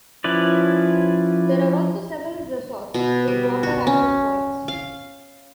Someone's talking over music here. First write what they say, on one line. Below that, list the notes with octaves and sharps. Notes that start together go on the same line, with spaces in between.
There are also several resorts with water access points.
F3 C#4 E4 B4 D5
B2
G3
F#4
C#4
F5